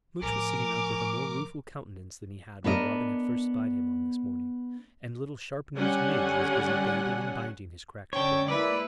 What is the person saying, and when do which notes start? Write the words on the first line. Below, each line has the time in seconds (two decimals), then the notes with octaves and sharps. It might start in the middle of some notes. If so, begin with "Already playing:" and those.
Much was sitting up with a more rueful countenance than he had when Robin had first spied him on this morning; and little sharp-nosed Midge was busy bathing and binding his cracked poll.
0.22 A2 F3 A#4 G#5 D6
2.64 B3 D4 A#4 D#5
5.74 D3 G3 C#4 F#5 G#5
8.13 D3 C#4 C#5 G5 A5
8.48 G#3 A#3 E4 B4 D5